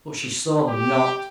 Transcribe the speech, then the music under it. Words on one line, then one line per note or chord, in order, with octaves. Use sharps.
But she saw them not.
G4